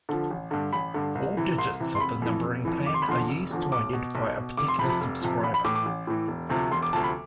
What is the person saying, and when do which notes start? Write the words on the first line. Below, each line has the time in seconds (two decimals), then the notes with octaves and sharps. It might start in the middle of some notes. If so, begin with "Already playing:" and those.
All digits of the numbering plan are used to identify a particular subscriber.
0.09 D3 F3
0.31 A1
0.51 G2 D3
0.73 A1 B5
0.94 G2 D3
1.15 C2
1.37 C3 E3
1.58 C2 C6
1.80 C3 E3
1.95 C6
2.00 F1 B5
2.22 F2 E3
2.44 F1
2.65 F2 E3
2.86 F1 D6
2.94 C6
3.02 B5
3.08 E2 D3 F3 C6
3.29 F1
3.51 E2 D3 F3
3.72 B1 D6
3.93 B2
4.15 B1
4.36 B2
4.57 F1 D6
4.68 C6
4.79 F2 C3 F3 B5
4.89 B5
5.01 F1
5.21 F2 C3 F3
5.43 A1 B5
5.54 B5
5.64 A2 E3 D6
5.75 D6
5.86 A1
6.07 A2 E3
6.28 E1
6.49 D2 C3 F3
6.71 E1 C6
6.83 D6
6.93 D2 C3 F3 A5
7.04 B5